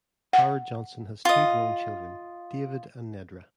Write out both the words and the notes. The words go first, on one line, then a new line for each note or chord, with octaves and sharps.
Howard Johnson has two grown children, David and Nedra.
F#5
F4 D#5